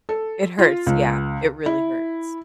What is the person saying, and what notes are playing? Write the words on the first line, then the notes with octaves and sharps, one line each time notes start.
It hurts, yeah, it really hurts.
A4
F4
C#2
E4